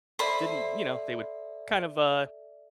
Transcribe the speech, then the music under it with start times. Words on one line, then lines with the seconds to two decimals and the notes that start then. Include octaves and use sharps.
didn't, you know, they would kind of, uh,
0.19 A4 C5 D5 E5 B5